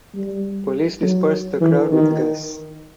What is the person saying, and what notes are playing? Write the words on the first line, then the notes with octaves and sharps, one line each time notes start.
Police dispersed the crowd with gas.
G3
F#3
E3
D#3